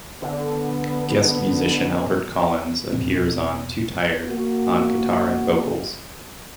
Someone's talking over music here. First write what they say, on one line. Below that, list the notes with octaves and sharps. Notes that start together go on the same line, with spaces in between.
Guest musician Albert Collins appears on "Too Tired" on guitar and vocals.
D3 B3
E1 A#1 B2 C4
A#3 F#4